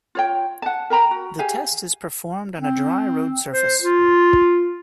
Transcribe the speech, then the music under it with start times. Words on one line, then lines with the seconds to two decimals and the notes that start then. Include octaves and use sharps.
The test is performed on a dry road surface.
0.15 F4 C#5 G5
0.62 F#5 A5
0.90 A#4 G5 A#5 B5
1.11 F#4
1.39 G4 G#4 F5 G#5
2.60 C4
3.51 C5
3.81 F4